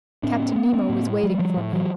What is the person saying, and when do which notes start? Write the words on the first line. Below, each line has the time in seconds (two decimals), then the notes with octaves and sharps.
Captain Nemo was waiting for me.
0.23 A2 C4 D4
0.40 B3 C#4
0.56 B3 C#4
0.73 B3 C#4
0.89 A2 A#3 C4
1.23 F#3 G#3
1.39 F3 G3
1.57 A2
1.73 E3 F#3